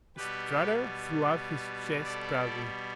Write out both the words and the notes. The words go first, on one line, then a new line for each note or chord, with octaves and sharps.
Strutter threw out his chest proudly.
B2 G3 B3 G4 B4
A4 D5